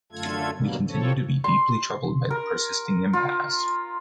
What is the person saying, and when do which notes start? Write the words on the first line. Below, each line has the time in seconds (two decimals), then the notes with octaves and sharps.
We continue to be deeply troubled by the persisting impasse.
0.12 F#2 D3 A3 F4 A4 G#6
0.55 B2 D3 F#3 G3 A#3
0.87 E3 F3 C4 A4 C#5
1.44 C6
2.30 A#4
3.13 F4